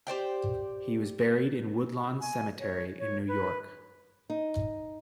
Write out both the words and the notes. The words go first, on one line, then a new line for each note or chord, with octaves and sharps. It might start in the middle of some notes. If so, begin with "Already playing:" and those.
He was buried in Woodlawn Cemetery in New York.
G4 C5 D5 G5
G#5
C#5
C#5
B4
D#4